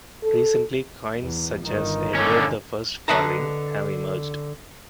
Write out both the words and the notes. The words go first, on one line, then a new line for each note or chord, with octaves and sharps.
Recently coins such as Edward the First Farthing have emerged.
A4
E2
G1 D#3
D3 C#4
D3 B4 D#5 A5 A#5